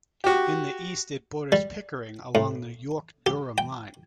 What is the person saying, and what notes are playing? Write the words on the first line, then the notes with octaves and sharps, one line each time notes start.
In the East it borders Pickering along the York-Durham Line.
F#4 G4
G3
A2
G4
G5